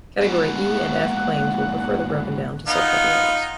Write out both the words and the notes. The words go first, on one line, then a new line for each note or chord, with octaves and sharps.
Category E and F claims were further broken down to subcategories.
G#2 B2 A#3 F#5
B3 D#4 F4